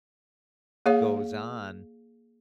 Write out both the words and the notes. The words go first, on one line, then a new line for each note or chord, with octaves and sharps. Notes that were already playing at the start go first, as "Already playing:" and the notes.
goes on,
A#3 G#4 C#5 F5